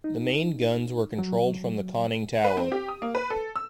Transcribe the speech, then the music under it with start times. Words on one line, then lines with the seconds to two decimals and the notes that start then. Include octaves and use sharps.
The main guns were controlled from the conning tower.
0.04 D#4
1.19 F#3
2.44 B4
2.57 C4
2.72 G4
2.88 D#6
3.02 A#3
3.15 B4
3.30 A4
3.56 E6